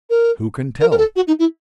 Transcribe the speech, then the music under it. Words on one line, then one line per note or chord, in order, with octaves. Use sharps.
Who can tell?
A#4
A#4
A#4
A4
F#4
D#4
E4